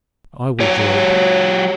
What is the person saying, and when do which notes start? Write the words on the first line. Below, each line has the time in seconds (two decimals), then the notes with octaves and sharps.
"I will draw it."
0.60 F#3 G4 C#5